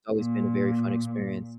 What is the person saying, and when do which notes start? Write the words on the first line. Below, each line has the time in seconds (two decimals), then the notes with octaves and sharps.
it's always been a very fun experience,
0.18 A#2